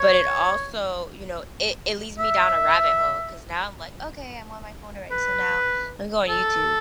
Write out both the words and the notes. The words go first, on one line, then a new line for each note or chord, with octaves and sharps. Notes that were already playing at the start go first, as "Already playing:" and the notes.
but it also you know, it it leads me down a rabbit hole 'cause now I'm like, "Okay. I'm on my phone already. So now lemme go on YouTube.
Already playing: C#5
E5
B4
A4